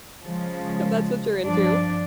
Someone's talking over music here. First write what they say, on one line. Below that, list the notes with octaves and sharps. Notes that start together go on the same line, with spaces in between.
if that's what you're into.
C#3 F3 G#3
G2 F3 D4 D5